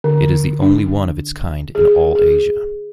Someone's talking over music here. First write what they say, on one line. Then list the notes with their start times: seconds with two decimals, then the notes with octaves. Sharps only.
It is the only one of its kind in all Asia.
0.04 D3
0.62 D4
1.75 G#4
2.16 G#4